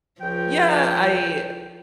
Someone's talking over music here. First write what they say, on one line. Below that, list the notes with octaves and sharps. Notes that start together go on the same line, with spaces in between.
Yeah, I
C#2 F3 G5